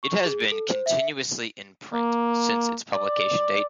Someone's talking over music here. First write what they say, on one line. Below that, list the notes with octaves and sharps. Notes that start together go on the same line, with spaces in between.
It has been continuously in print since its publication date.
C#6
G#4
D7
A4
C5
E5
A#3
D5